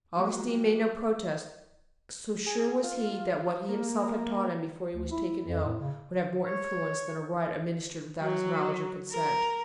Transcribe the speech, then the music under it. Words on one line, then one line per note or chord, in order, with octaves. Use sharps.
Augustine made no protest, so sure was he that what he himself had taught him before he was taken ill would have more influence than a rite administered without his knowledge or consent.
F3 F#3 G#3 A#3 G4
G#4
F4
A#3
D2
E4
F2
A2
C#3
C#5
F#3
A#4